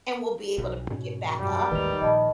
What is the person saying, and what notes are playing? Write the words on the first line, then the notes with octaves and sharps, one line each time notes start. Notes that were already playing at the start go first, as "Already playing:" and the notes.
and we'll be able to pick it back up.
B1
G#2 B2 C#4
F#2 G3
A1 D#2 G#2 D#3 B4 F7
A#1 D#5 A5 B5